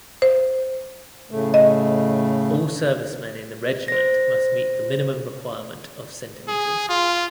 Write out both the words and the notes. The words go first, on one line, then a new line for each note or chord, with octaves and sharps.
All serviceman in the regiment must meet the minimum requirement of centimeters.
C5
A2 C#3 A3
D#5
C5 A#6
G#4
F4